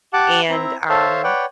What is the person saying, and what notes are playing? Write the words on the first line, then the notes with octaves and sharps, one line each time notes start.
and, um,
G4 F#5 A5 D6
C4 E4 E5 A#5
A4 C5 C#5 E5 F5 A5
B4 C#5 D5 F#5 G5